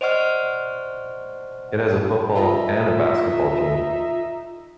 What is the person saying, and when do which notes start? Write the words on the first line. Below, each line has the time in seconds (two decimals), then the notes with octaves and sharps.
It has a football and a basketball team.
0.01 C5 D5 D#5 F#5 C#6 F6
2.36 D#4 F4 E5